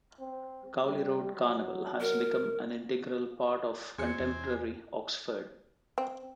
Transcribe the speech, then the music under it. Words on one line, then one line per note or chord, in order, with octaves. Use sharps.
Cowley Road Carnival has become an integral part of contemporary Oxford.
C4
G3
F#3
A#4
E2 C4 G#4 G#5 C#7
E2
C4